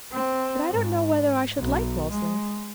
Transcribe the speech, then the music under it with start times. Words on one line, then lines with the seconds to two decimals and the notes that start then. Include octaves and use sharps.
But I don't know whether I should like Wellesley.
0.12 C4
0.70 G#2
1.58 B1
2.10 G#3